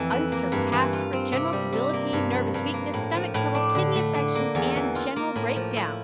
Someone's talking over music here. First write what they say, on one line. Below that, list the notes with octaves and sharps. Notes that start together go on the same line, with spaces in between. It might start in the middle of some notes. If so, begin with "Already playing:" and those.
UNSURPASSED for General Debility, Nervous Weakness, Stomach troubles, Kidney affections and General Break-Down.
Already playing: F2 E3 A3
E4
A#3
G2
E3
F4
C4
C3
G3
C3
A#3
G2
F3
G2
A#3
A2
F3
A2
D4
D3
A3
D3
A#3
E2
E3
F4
A#3
A2
F3
E4